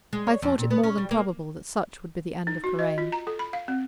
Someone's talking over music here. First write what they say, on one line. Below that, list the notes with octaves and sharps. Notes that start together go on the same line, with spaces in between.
I thought it more than probable that such would be the end of Karain.
G#3
C#5
F2
A#2
B3
C#4
G3
A#3
D#4
F#4
D#5
F4
A#5
A4
B5
F5
C4